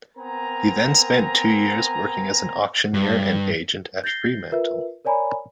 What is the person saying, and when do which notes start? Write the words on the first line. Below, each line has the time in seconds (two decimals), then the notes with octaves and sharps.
He then spent two years working as an auctioneer and agent at Fremantle.
0.18 B3 C4 A#4 G#5 A#5
2.94 G2
4.04 G6 A6 A#6 C7 G7
4.52 F4 A#4 B4 E5
5.05 A#4 C#5 D5 G#5 A#5 B5